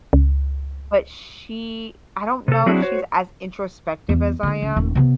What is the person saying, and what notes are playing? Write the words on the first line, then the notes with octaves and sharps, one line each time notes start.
but she I don't know if she's as introspective as I am,
C#2
C3 A4
F#3 C4 D4 E4 F#4 G#4
F#4 C5 C#5
E2
D3 A#3
C#2
D#1
C3 B3